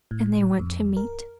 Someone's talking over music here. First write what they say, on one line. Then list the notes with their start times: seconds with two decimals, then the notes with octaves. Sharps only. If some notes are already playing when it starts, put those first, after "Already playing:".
And they went to meat.
0.11 A2
0.59 F2
0.97 A#4